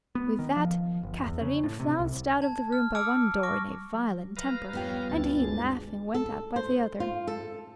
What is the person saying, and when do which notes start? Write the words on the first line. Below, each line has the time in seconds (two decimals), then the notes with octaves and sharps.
With that, Katharine flounced out of the room by one door in a violent temper, and he, laughing, went out by the other.
0.15 B3
0.39 D#3
0.56 F3
1.03 G1
1.23 E2
1.41 C#3
1.64 A2
1.80 C3
1.99 C2
2.42 A5 G#6
2.72 F6
2.95 A5 D6 E6 F6 C#7 D7
3.43 C#6 D6 F6 A#6
3.94 F#3 G3
4.37 B4 F5 A#5
4.73 F2 G3 B3 C#4 F4 G5
5.10 D2 G2 E4 A6
5.41 G#3 D4 G#4
6.14 A4
6.56 C5
7.00 F4
7.27 A4